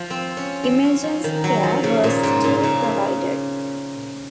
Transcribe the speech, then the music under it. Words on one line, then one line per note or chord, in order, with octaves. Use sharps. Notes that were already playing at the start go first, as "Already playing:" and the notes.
Emergency care was still provided.
Already playing: F3
C4
C#4
C4
C#4
F3
D#3
F#3
F3
C#3
A#2
G#2
A#2
C#3
A#2